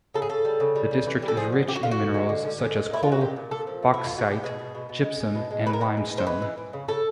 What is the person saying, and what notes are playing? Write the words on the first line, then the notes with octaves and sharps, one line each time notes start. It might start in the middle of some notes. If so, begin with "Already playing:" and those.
The district is rich in minerals such as coal, bauxite, gypsum and lime-stone.
C#3 A4
G#4
C#3 A4
G3
C#3
G3
C#3
E3
G3
A4
F3 G#4
D3
D3 G4
F#4
D3 F4
F#4
D3
G#3
D3
D3
G#3
A#2
A#2 E4
G#3 F4
F#4
A#2 G4
A#2
A#2 A4
F3
A3
A3 E4
F4
B2
F#4
B2 G4
B2 G#4
B2
B2
B2
G#3
G#3
B2
G#3
G#3 B4
A#4
B2 B4
G#3
B2
C5
G#3 B4
E3
E3
C#3
C#3 A4